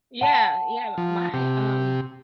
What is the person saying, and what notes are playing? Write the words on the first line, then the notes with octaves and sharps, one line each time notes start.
Yeah, yeah, my, um
F#5 A5
F3
C3 G4